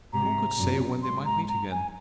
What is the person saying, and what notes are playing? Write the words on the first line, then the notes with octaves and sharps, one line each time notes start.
Who could say when they might meet again?
G#2 C3 A#5
F#2 A#2
G#2 C6
A#5
A#5
G#5